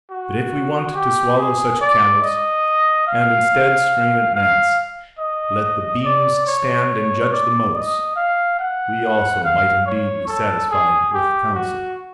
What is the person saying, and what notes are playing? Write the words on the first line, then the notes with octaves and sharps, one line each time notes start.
But if we want to swallow such camels, and, instead, strain at gnats, let the beams stand and judge the motes, we also might indeed be satisfied with the Council.
F#4
G4
G#4
D5
D#5
F5
F5
D#5
D5
C#5
D5
D#5
F5
F#5
F5
C#5
A4
G#4
G4
F#4